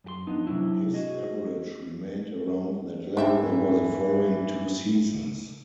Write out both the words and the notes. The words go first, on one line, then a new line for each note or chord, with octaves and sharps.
His average remained around that level over the following two seasons.
F#2 G4 C6
F3 B3 D4 D#4
C3 D#3 F#3 D4 E4
F#4 G#4 D#5
G#2 E3 D4 E5 G5